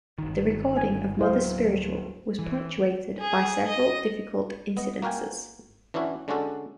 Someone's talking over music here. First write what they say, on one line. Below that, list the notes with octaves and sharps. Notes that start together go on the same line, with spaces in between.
The recording of "Mother's Spiritual" was punctuated by several difficult incidences.
G1 D#3
G#5
D1 F#3 E4 C5 F5
E3
G#4
D#5
B3 D#5
A#3 F#4 A#4 G5 G#5
E3 C#4 D4 E4 F#4
D3 G#3 C#4 D4 F#4 A4